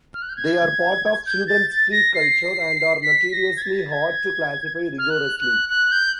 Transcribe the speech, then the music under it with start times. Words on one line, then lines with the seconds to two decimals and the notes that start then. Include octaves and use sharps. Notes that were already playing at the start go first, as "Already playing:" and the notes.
They are part of children's street culture, and are notoriously hard to classify rigorously.
0.14 F6
0.22 F#6
0.29 G6
0.37 G#6
1.26 G6
1.48 A6
1.70 A6
1.92 A#6
2.15 C7
3.03 B6
3.33 A#6
3.57 G#6
3.62 A6
3.92 G#6
4.98 F6
5.10 F#6
5.40 F#6
5.69 F#6
5.92 G6